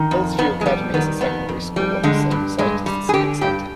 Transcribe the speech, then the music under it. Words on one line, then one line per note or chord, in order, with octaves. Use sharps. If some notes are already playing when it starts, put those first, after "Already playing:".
Hillsview Academy is a secondary school on the same site as the civic centre.
Already playing: D#3
F2
F2 B3
G#3
G3 B3
D#3 B3
F2 B3
F2
G3
D3 G#3
G2
G2 G#3
G3
G#4
D3 G4
G2 G4